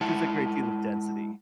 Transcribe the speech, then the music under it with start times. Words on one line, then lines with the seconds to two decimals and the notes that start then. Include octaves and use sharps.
There's a great deal of density.
0.01 G#3 E4 F#5 A5